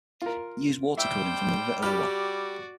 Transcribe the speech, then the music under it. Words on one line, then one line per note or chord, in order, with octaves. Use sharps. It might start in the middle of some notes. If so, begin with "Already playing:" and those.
It used water for cooling from the River Irwell.
F4 A#4
G3 C5 E5 G5
F#4 G4 D5 B5 F6